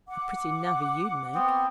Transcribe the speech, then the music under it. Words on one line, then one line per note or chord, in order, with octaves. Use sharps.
'A pretty navvy you'd make!
F#5 D6
B3 C4